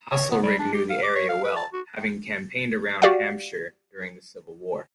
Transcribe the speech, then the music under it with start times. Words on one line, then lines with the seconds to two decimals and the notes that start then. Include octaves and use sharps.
Haselrig knew the area well having campaigned around Hampshire during the civil war.
0.11 C#5
0.31 B3
0.43 G3
0.59 D4
0.74 G4
0.90 F5
1.03 D6
1.15 C#5
1.29 F5
1.44 B4
1.56 A5
1.72 F#4
3.02 F#4 G4 D5 F5 F#5